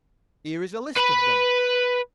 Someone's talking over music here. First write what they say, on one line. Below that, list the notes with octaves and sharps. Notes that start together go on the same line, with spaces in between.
"Here is a list of them."
B4 B5